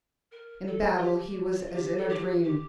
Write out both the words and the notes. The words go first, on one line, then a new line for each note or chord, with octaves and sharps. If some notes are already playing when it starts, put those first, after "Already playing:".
In battle he was as in a dream.
A#4
A4
F4
G4
F4
G4
A4
G4
G4